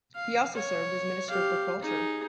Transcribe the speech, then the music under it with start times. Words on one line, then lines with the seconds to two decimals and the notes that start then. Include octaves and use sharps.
He also served as Minister for Culture.
0.16 F5
0.55 C#5
1.29 G4 F5
1.82 D#4 G#4